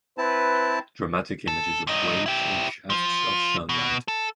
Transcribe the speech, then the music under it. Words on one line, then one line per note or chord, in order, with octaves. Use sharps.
Dramatic images of waves, and shafts of sunlight.
C4 E4 B4 A5
A4
G2 D#4
E4 G4
F3
B2
A4